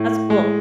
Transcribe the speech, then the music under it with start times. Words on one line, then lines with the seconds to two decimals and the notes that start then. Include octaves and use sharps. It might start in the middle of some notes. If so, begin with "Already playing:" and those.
That's cool.
Already playing: A2
0.30 G#3